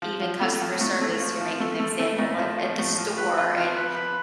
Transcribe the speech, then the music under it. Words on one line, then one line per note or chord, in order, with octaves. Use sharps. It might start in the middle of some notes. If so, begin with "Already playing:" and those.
even customer service, you're making an example of at the store, and
F3
F3
A3
F3
A2
A3
F3
F3
A3
A3
A3
A2
F3
F3
A2
F3
B4
F4
F3
B4
B4